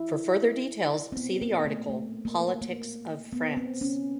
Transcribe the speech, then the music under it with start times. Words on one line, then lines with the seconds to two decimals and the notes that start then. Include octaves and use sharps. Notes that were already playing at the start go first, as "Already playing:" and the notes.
For further details see the article: Politics of France.
Already playing: E4
1.12 C4
1.17 B3
1.41 A#3
1.65 A3
1.89 A3
2.25 A#3
2.62 A#3
3.33 B3
3.57 C4
3.81 C#4